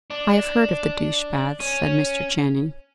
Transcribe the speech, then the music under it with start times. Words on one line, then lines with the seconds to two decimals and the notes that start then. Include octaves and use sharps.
"I have heard of the douche baths," said Mr. Channing.
0.10 D4
1.60 C#4